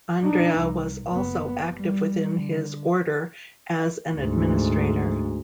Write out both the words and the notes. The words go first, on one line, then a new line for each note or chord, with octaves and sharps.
Andrea was also active within his order as an administrator.
D4 D#4
C2
F#1 B3
G3
D3
D2 G#2